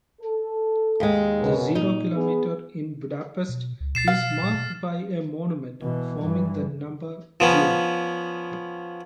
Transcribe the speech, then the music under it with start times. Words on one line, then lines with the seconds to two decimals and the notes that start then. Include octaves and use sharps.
The Zero Kilometre in Budapest is marked by a monument, forming the number "zero".
0.21 A4
1.00 D#2 G#3
1.40 F#2 B2
1.75 A#2 D#4
2.14 B3 G#4
3.49 B2
3.81 C#2
3.95 B2 A6 C7 E7
4.08 F5 F6
4.43 A#2
4.54 B2
5.81 B2 E3
6.19 G2 E3
7.40 F3 B3 C#4